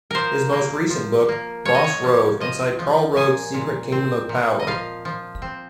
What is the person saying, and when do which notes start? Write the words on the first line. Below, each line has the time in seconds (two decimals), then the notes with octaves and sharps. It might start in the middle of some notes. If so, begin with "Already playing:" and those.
His most recent book "Boss Rove: Inside Karl Rove's Secret Kingdom of Power".
0.11 F3 A#4 C5
0.52 A#3
0.90 F3
1.29 A#3
1.65 F3 C#5
1.75 D#5
1.84 C#5
2.04 F3
2.40 F3 D#5
2.79 F3
3.16 A#2 G#5
3.54 A#2
3.92 C4
4.29 A#2
4.60 D#5
4.67 F3 F5
5.05 F3
5.42 C4